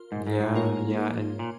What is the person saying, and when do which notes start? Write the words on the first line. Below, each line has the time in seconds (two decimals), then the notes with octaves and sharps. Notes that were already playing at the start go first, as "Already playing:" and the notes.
Yeah, yeah, and
Already playing: F4 A#4
0.12 G#2
0.27 G#2
0.40 G#2
0.54 A#3 F4 A#4 C#5
1.39 A#2